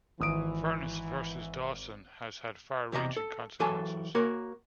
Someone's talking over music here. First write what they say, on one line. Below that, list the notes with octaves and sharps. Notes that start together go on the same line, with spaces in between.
"Furniss versus Dawson" has had far-reaching consequences.
G#1 E3 D#6 D7
E2 C3 D#5 A#5
A4
E3 F#3 A4 G#5 A5
A#3 F#4 A#4 C#5